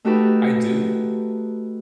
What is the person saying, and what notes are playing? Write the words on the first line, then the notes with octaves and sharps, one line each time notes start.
I do.
A3 D#4 F#4 G4 A4 B4